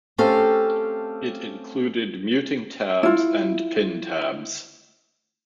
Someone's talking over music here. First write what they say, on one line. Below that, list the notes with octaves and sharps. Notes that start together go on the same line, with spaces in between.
It included muting tabs and pinned tabs.
A3 C4 C#4 G4 A4 F5
E4 F4